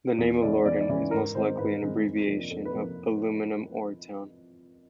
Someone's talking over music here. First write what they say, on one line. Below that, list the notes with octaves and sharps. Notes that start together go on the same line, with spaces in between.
The name Alorton is most likely an abbreviation of "aluminum ore town".
E2
C#3 E3 G#3 C#4 D5
E2 D5
D5
C#3 E3 G#3 C#4
G#2 A#4
D#3 G#3 C4 C5
G#2 B4
D#3 G#3 C4
F2
C3 F3 A#3 D4
F2 A4
B4
C3 F3 A#3